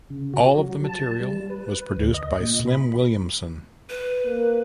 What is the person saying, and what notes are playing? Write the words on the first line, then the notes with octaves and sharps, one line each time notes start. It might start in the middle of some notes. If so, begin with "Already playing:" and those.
All of the material was produced by Slim Williamson.
C#3
F#4
F#3
A5
G3
B4
D2
D#5
A#2
B5
B4
A#3